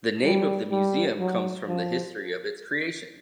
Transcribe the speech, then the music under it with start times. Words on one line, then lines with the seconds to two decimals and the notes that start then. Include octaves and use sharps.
The name of the museum comes from the history of its creation.
0.24 G3
0.71 G3
1.20 F#3
1.67 F3